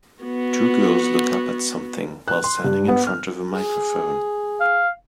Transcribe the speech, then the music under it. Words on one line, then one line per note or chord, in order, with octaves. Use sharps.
Two girls look up at something while standing in front of a microphone.
B3 F#4
F#6
C6
G2
B3
F6
G#4
F5